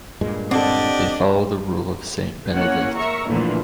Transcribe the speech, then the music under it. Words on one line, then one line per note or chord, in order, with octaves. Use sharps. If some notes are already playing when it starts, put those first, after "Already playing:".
They follow the rule of Saint Benedict.
G2 A#2 G#3
D3 C4 D4 G4 A4 D#5
A#3 C#4 E4 C#5 F#5
A#4 E5 A#5 C#6
A#2 D3 E3 F3 A3 A#3